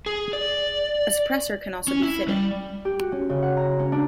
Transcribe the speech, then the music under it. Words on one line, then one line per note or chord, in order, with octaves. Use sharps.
A suppressor can also be fitted.
G#4
D5
C#4
E4
G3
G4
F#4
C#4
C#3
F#5
A#5
C#4
D4